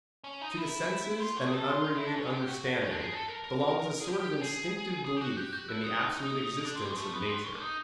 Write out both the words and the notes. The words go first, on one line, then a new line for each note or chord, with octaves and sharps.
To the senses and the unrenewed understanding, belongs a sort of instinctive belief in the absolute existence of nature.
C#4
D#4
E4
F4
F#4
G#4
A4
F4
F4
E4
D4
C#4
G4
F#4
C#4
D4
G#4
A4
A#4
A#4
A#4
G#4
G4
G4
G4
G#4
G#4
G4
F#4
G4
F#4
E4
D#4
D4
C4
G3
G#3
A3
B3
C4
C#4
D4
D#4